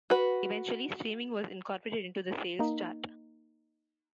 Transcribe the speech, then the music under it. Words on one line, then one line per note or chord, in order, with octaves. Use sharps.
Eventually, streaming was incorporated into the sales chart.
F#4 B4
A#3 D#4